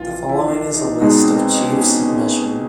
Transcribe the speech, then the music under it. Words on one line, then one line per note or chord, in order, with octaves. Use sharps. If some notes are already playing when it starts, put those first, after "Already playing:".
The following is a list of chiefs of mission.
Already playing: A#1 E3 F4
F4
E4
D4
D#4
B2 G#3 B3 D4 D#4
C4
C4
C#4
D4
C#4